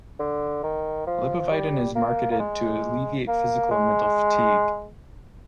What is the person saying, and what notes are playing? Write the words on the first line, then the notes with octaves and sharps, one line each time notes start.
Lipovitan is marketed to alleviate physical and mental fatigue.
D3
D#3
F3
G3
A#3
A#3
G#3
A#3
G#3